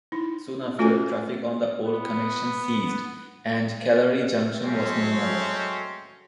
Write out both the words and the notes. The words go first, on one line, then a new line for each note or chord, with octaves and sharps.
Soon after, traffic on the old connection ceased, and Callery Junction was no more.
D#4 E4
A3 C#4 F4 F#4 A4 G#5
B3
F#3 G#3 A3 C4 C#4